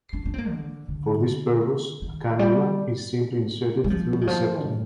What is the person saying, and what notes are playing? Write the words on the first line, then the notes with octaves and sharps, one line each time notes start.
For this purpose, a canula is simply inserted through the septum.
D4
D4
C4
A#3
D3
D3
D#3
G3
G3
F3
D#3
F3
A2